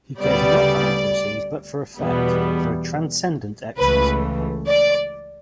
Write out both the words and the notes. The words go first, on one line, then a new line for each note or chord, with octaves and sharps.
He cares not for accuracy but for effect, for a transcendent ecstasy.
D2 C#3 G3 B3 D5
E2 B2 G3 B3
C#2 C#3 E3 A3 B4
D5